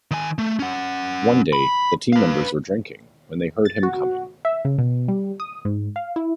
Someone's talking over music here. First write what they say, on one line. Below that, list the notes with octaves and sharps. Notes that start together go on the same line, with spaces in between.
One day, the team members were drinking, when they heard him coming.
D#3 G#5
A3
C#4 F#5
B5
B4 F5
A6
F#4
E5
C#3
B2
G3
D#6
G#2
F5
E4